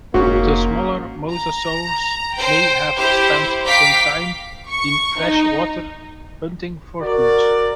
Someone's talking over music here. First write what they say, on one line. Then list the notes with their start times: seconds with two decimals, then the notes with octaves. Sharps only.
The smaller mosasaurs may have spent some time in fresh water, hunting for food.
0.14 F1 G#2 A#3 C#4 F#4
1.30 A#5
2.37 C5 G5
2.96 E4 G4 C5
3.66 F5 G5 A#5 D6 B6
4.69 C#6
5.20 D#4
7.03 F#4 A#4 D5